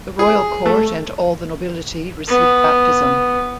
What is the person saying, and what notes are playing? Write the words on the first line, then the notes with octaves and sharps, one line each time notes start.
The royal court and all the nobility received baptism.
G#4
A3
B3